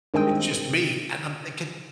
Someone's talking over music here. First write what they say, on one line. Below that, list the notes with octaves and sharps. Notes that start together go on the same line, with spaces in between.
It's just me," and I'm thinking,
G2 D#3 G#3 C4 G5 D#6